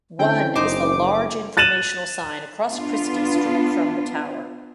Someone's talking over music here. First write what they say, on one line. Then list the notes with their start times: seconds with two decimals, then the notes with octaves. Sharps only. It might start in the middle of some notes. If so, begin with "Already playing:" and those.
One is the large informational sign across Christie Street from the tower.
0.19 D3 C4 C#4 E4 G5
0.55 F#1 D#4 C5 D6
1.57 F#6 A6 D#7 E7 F#7
2.72 B3 D4 F4